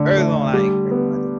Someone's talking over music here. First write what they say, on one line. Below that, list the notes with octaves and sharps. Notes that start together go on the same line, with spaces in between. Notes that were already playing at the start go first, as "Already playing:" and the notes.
early on, I ain't care about it.
Already playing: D3 A3
A3
G3
B3